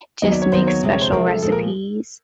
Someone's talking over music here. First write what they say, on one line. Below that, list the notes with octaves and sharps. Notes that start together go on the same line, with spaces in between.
just make special recipes,
D#2 D#3 F#3 B3 D#5
D5
C#5
D#2 D#3 F#3 B3 C5
C#5
D2 C3 F3 G#3
C#5
C5
D2 C3 F3 G#3 A#4
A4
A#2 F3 G#3 A4
A#4